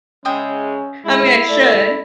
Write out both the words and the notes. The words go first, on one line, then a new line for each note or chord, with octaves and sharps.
I mean, I should,
C#3 G#3 C#4 E5 G5 D#6
G#3 E4
A3 D5